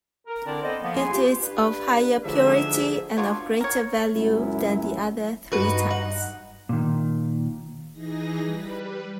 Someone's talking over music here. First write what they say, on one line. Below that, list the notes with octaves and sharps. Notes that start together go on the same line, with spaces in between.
It is of higher purity and of greater value than the other three types.
A#4
D3 C4 D4 E4 A#4 D5
B3 C4 A4 C5 D#5
F3 A#3 B3
C2 C#4 E4 G#4 G#5 C6
F4 G4
G2 B4
G#2 D3 F3 F#3 G#3 G#4 E5
D4 F4 F#4 C#5
A#4 C#5
C#2 F#2 E4
G2 D#4 F#4 B4
F#5
A#2 D#3
E3 D#4 G#4 A#6
G3 B4